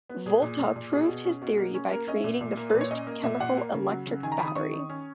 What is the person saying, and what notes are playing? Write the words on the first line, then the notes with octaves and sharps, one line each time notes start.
Volta proved his theory by creating the first chemical electric battery.
B3
A#2 G#4
A#2
A#2
A#2
B2 G#4
B2
C#4
B2
A#3
C#4
A#3 A#4
C#4 D#5
E5
A#2
A#2
A#3
A#2 B4
C#5
C#4 D#5
A#3
A#2 E5
A#2 F#5
A#3
C#3
F#3
C#3
D#3 G#5
A#5
D#3 B5
D#6
D#3 C#6
D#3
C#4